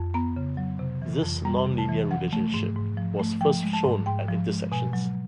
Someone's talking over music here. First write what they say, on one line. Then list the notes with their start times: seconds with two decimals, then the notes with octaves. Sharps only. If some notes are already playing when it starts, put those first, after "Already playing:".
This non-linear relationship was first shown at intersections.
Already playing: F2
0.14 B3 A#5
0.36 C#3
0.57 F#3
0.79 C3
1.02 E3
1.23 F2
1.45 G3 A#5
1.67 C3
1.78 A5
1.88 E3
2.11 F3 F#5
2.33 A3
2.54 G#2
2.76 G#2
2.97 F3
3.19 A3
3.41 F3 G5
3.63 G#3
3.73 A5
3.85 G#2
4.06 G#2 G5
4.28 F3
4.49 G#3
4.72 B2 G#5
4.93 F#3